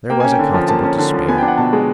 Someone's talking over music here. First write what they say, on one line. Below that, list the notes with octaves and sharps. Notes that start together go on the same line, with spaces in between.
There was a constable to spare.
A#3 G5
C#4 G#5
G5
D3
F3
A#3 A5
C#4
D3
F3
B3 G#5
D4 G5
F#5
B2 A5
G#3